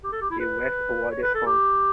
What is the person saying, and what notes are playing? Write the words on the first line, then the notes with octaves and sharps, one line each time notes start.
He was awarded Hon.
G4
A4
G4
E4
B4
C#5
B4
A4
G4